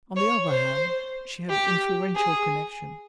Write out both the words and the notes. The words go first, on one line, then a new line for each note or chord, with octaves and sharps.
On the other hand, she had influential connections.
C#5
C5
G4
G#4